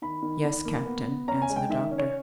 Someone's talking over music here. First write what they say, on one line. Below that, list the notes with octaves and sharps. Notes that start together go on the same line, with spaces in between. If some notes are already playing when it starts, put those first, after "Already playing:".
"Yes, captain," answered the doctor.
D#3 B5
D#3
D#3
A#3
B3
B3
C#4 A#5
G#5
G#3
G5
D#3 E5
C#4
C#5